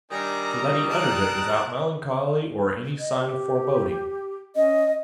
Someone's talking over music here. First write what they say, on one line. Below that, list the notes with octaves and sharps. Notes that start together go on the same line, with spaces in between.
So that he uttered it without melancholy or any sign of foreboding.
D#3 G3 D4 G#5 A#5
A5 A#5 F#6 D7
D#5
G4
C#4 D#5